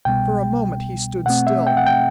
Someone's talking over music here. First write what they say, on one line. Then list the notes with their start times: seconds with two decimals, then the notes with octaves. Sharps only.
For a moment he stood still.
0.05 C2 B2 G3 B3 G5
1.26 B2 A3 C4 F#5
1.47 E5
1.67 G5
1.77 F#5
1.87 G5